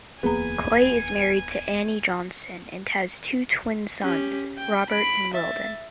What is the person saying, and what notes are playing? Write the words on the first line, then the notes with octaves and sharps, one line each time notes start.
Clay is married to Anne Johnson and has two twin sons, Robert and Weldon.
D1 E2 A#3 B3 G#4 G#5 A#5
C#4 G4
G5
B5 D7
E5 A6